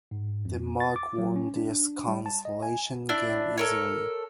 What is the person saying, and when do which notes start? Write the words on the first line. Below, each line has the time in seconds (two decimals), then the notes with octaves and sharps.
Denmark won this consolation game easily.
0.11 G#2
0.45 F2
0.80 A6
0.96 D6
1.18 F#3
1.36 C#4
1.56 D4
2.08 G3
2.26 A5
2.45 D#5
2.63 G#5
3.09 D4 E4
3.58 A4 A#4 C#5